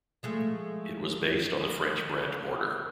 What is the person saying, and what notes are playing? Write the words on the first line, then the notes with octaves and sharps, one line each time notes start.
It was based on the French Brandt mortar.
F3 G#3 A3